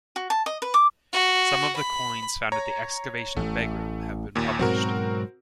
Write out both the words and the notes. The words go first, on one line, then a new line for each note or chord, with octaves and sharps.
Some of the coins found at the excavation of Begram have been published.
F#4
A5
D#5
B4
D6
F#4
B5
C#5 A#5
A1 A3
D#2 A#2
G#2 B2 F#3 C4 F#4 A#4